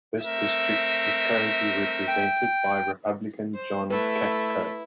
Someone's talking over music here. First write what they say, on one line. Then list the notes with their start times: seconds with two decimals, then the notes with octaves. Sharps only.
This district is currently represented by Republican John Katko.
0.25 A3 C4 A#4 E5
2.08 G5
3.55 C5
3.91 A3 E4 B4